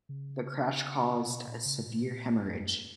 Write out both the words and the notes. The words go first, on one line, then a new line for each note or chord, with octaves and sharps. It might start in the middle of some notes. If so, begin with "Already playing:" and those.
The crash caused a severe haemorrhage.
C#3
B2
A#2
C#3
A#2
F#2
F#2